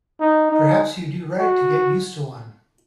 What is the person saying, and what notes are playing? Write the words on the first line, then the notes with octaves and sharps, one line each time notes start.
Perhaps you do right to get used to one.
D#4
D#4
F#4